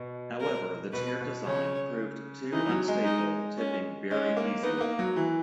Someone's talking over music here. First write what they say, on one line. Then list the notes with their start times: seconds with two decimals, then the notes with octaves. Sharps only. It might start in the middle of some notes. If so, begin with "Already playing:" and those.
However, the chair design proved too unstable, tipping very easily.
Already playing: B2
0.40 A#4
0.93 B2 B4
1.21 B2
1.46 C#3 C#5
2.52 E3 D#4
2.69 F#3
2.88 G#3
3.04 D#4
3.58 C#4
4.11 G#3 C#4
4.37 A#3
4.63 B3 D#4
4.81 A#3
4.99 F#3
5.16 E3